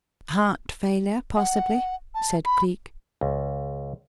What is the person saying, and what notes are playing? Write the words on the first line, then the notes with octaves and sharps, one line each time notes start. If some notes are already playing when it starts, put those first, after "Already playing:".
"Heart failure, possibly," said Cleek.
F#5
A5
B5
C#2